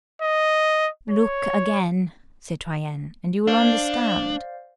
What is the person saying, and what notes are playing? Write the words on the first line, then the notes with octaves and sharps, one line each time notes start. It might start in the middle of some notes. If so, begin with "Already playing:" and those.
"Look again, citoyenne, and you will understand."
D#5
C#5
D4 C5 D5 F5